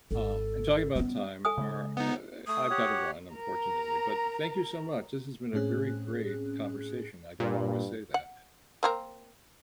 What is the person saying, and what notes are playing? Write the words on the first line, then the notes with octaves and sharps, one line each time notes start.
uh and talking about time, our uh eh e I've gotta run, unfortunately, but thank you so much, this has been a very great conversation, I don't always say that,
G#1 A4
G3 B3 C#4
A4 G#5 D#6
C#3 G#3
B3 D#4
A3 D#6
G4 C#5 F#5
A#4 A#5
A2 C4 C#4 G#4 F#6
G2 A#2
F#5
A#3 C4 A#4